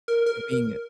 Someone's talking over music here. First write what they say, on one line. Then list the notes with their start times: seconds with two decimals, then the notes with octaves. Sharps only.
you're being
0.08 A#4
0.26 A#4